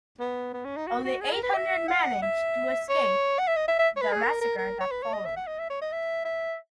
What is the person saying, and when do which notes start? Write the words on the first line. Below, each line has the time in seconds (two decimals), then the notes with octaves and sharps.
Only eight hundred managed to escape the massacre that followed.
0.20 B3
0.53 B3
0.65 C#4
0.76 D#4
0.87 F#4
1.04 F#4
1.21 G#4
1.32 A#4
1.43 B4
1.54 E5
1.88 F#5
2.22 E5
2.89 C#5
3.39 F#5
3.48 E5
3.56 D#5
3.68 E5
3.79 E5
3.97 C#5
4.01 B4
4.12 G#4
4.24 A#4
4.41 A#4
4.58 A#4
4.81 C#5
4.91 B4
5.03 C#5
5.13 D#5
5.25 E5
5.36 F#5
5.47 D#5
5.59 E5
5.70 C#5
5.81 D#5
5.92 E5
6.25 E5